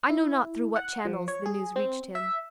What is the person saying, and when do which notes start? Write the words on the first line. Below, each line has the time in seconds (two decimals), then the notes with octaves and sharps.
I know not through what channels the news reached him.
0.10 E4
0.76 F#5
1.05 F3
1.28 C#5
1.46 G#4
1.76 C4
2.15 E5